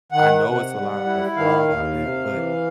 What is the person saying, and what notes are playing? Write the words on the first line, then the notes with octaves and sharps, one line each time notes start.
I know it's a lot of fraud out there, but
D#3 F#5
C3
G3
E4
D#3 F5
D#2
C3
E3